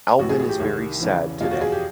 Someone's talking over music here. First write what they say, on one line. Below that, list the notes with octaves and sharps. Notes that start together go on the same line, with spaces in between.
Alvyn is very sad today.
A1 A2 E3 F#4
G#4
G#4
G4
C2 C3 D#3
E2 C#3 E3
E2 B2 F4
F#4
G#4
G4